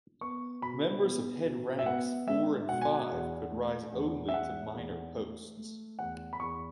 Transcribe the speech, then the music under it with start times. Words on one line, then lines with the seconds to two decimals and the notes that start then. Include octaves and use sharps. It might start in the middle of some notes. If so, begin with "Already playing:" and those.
Members of head ranks four and five could rise only to minor posts.
0.21 B3 C#6
0.62 B2 B5
1.03 B3
1.45 B2
1.79 E5
1.86 B3 F#5
2.27 G#3 E5
2.68 B2 F#5
2.82 G#5
2.94 F#5
3.10 E2
3.52 A3
3.92 E2
4.28 E5
4.34 E2 F#5
4.75 E2
5.17 A3
5.57 A3
5.99 E2 F#5
6.33 B5
6.40 E2 C#6